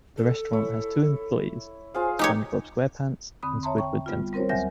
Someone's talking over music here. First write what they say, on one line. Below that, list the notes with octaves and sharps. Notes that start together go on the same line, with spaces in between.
The restaurant has two employees: SpongeBob SquarePants and Squidward Tentacles.
A4
E4 C#5
F4 G#4 C5 F5
D#4 G4 C#5 D#5
E2 D3 C4 B5 D#6
C#5 E5 A5 A#5 C6
G5 C#6
G3 B3 F4
G3 C4 A#4 C5 C#5
D2 F#3 E5 G#5 G6 A#6